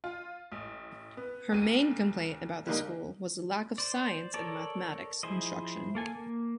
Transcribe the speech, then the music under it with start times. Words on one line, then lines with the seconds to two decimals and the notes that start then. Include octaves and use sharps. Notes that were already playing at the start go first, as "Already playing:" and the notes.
Her main complaint about the school was the lack of science and mathematics instruction.
0.04 F4
0.52 A1
1.17 B3
1.52 D2 D#7
2.67 D3 G3 A#3 D#4 A#4
3.78 C5 D5
4.34 A4 A#4 C#5 D5 A5
5.23 F3 E4 G#4 C5 D#5
5.95 A#3 A4 G#5
6.16 A#3